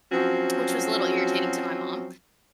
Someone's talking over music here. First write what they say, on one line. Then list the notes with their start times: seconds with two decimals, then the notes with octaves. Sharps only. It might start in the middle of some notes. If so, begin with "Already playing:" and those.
which was a little irritating to my mom,
0.12 F3 F#3 C4 C#4 F#4